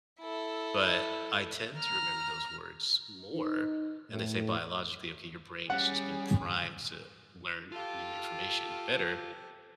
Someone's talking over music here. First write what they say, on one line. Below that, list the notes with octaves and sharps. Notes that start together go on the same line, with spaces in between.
but I tend to remember those words more, and they say biologically, okay, your brain has just been primed to learn new information better
E4 A4
A#5 F6
D#4
A2
G3 C#4 G#4 F#5
F4 G4 A4 F5